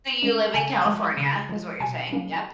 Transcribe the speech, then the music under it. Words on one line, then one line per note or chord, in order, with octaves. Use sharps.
So you live in California, is what you're saying? Yep.
G#3 C#4
C#3 G#5
F3 G#3
C#3
F3 G#3
B2 G#5
F#3 A#3 C#4